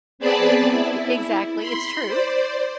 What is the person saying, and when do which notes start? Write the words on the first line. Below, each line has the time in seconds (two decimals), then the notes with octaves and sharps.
Mhm, ye exactly, it's true.
0.19 B3 C4 G#4 D5 A5 B5
0.70 E4
1.59 B5 C6
2.07 C5 D5